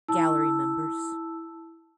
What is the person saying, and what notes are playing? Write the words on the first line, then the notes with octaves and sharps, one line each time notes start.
Gallery members.
E4 A5 E6